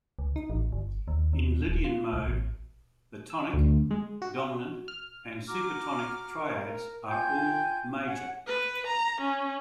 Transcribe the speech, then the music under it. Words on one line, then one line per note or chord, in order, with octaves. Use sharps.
In Lydian mode, the tonic, dominant, and supertonic triads are all major.
C#2
D#4
A1
G1
D#2
D#2
D#1
F4
C2
A1
E6
D2
G#3
F#4
F6
F#4 A#5 D6 F6
A#4
F4 G5 G#5 G6
C#4 F#5
B4
A#5
C#4